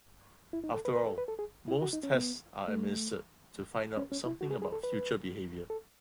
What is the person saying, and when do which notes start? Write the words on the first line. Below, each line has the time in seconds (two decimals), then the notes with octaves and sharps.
After all, most tests are administered to find out something about future behavior.
0.53 E4
0.64 D#4
0.74 A4
0.85 B4
0.96 B4
1.07 A4
1.18 B4
1.28 A4
1.39 G#4
1.68 E4
1.82 F#4
1.93 D#4
2.03 C#4
2.15 B3
2.68 A3
3.97 C#4
4.12 C#4
4.26 E4
4.41 F#4
4.51 G#4
4.62 G#4
4.72 A4
4.83 B4
5.70 A4